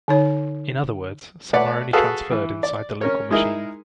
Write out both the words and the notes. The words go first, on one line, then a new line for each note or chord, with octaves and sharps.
In other words, some are only transferred inside the local machine.
D3 D#4 C#5
A3 B4 C#5 D5 F#5
F#4 G#4 A4 B4 F5
E3
D5
C#4 A#4 C#5
G#3 D#4 E4 G#4 A#4